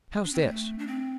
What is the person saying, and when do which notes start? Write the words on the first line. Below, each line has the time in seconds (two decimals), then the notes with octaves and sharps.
How's this?
0.24 D4
0.33 C4
0.42 A3
0.79 D4
0.87 C4